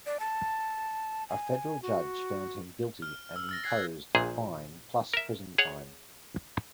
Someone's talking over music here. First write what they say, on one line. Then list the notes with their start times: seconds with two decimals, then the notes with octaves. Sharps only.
A federal judge found him guilty and imposed a fine plus prison time.
0.06 D5
0.20 A5
1.29 G#5
1.82 F#4
3.02 F6
3.36 E6
3.49 F6 A6 A#6
3.64 F#6 G#6 C7
4.15 A#1 A#2 G#4
5.14 A#4 E5
5.58 G#4 C#5 F#5